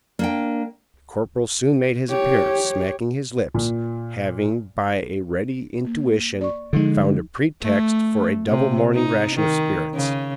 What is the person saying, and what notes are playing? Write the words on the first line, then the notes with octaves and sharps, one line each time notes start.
The corporal soon made his appearance, smacking his lips, having, by a ready intuition, found a pretext for a double morning ration of spirits.
A#3 D4 G5
G4 C#5
A#2
A#3
D5 C#6
D3 F3 G#3 D#4
A3
C3
D#4
D#3
C#3